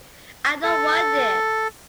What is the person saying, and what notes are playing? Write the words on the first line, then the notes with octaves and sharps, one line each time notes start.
I don’t want this.
A4